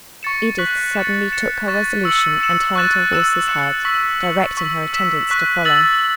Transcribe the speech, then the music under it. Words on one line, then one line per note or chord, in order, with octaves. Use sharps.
Edith suddenly took her resolution, and turned her horse's head, directing her attendants to follow.
C#6 A6 C#7 E7
C#6 F#6 B6 F#7
A6 C#7 E7
A6 C#7 E7
C#6 A6 E7
C#6 E6 C#7 F#7
E6 C#7 E7
C#6 F#6 A6 E7
E6 A6 E7
F#6 C#7 E7
C#6 E6 B6 F#7
F#6 C#7 F#7
C#6 E6 B6 F#7
E6 B6 E7
C#6 F#6 B6 E7
E6 A6 F#7